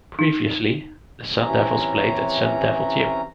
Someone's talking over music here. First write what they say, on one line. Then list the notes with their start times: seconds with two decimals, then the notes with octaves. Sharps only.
Previously, the Sun Devils played at Sun Devil Gym.
0.19 D#4
1.42 C3 E3 C#4 A#5